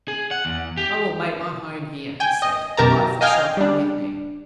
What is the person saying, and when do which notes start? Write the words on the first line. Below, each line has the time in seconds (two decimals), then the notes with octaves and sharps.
"I will make my home here," he said. "Lightfoot shall come with me."
0.08 G#4
0.31 F#5
0.45 E2
0.77 G4
2.20 G5 G#5
2.42 D#5
2.77 F#2 B2 G4 A#4 A5 A#5
3.21 D#5 F5 G5 G#5 F6
3.57 G3 D4